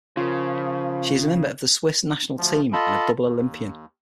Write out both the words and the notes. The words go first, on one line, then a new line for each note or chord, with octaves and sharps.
She is a member of the Swiss National Team and a double Olympian.
C#3 F3 F4 A#4
D2 F3
F4 A4 D#5 A5 B5
D#2